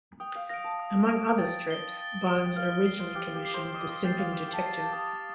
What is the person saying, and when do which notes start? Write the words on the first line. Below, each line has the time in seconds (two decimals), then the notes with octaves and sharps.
Among other strips, Barnes originally commissioned "The Simping Detective".
0.20 G5 D#6
0.35 F5
0.49 F5 A#6 D7
0.64 A5
0.80 D#6
1.09 A#6 D7
1.38 G5 A6
1.68 D7 G7
1.97 A6
2.27 D7 G7
2.45 G5
2.56 F5 F6
2.72 D#5
2.86 C7 G7
3.00 C5
3.15 G4 F6
3.35 G4
3.45 C7 G7
3.54 C5
3.74 D#5 D6
3.89 D#5
4.04 G5 A6 C7
4.18 F5
4.33 D6
4.48 G5
4.53 A5
4.63 A6 C7
4.72 A5
4.93 A5 D#6